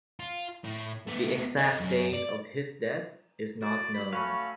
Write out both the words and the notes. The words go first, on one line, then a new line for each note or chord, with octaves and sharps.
The exact date of his death is not known.
F4
A2
A3 B3
A4 D#5
F#2
D5
F#4 D5
B5
A3 C#4 F#4 F5 B5